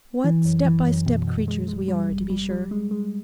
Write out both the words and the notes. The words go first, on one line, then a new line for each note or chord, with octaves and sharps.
What step-by-step creatures we are, to be sure!
E3
F#2
E3
F#2
B2
B2
G#3
G#3
G3
G#1
G3
G3
G#3
G#3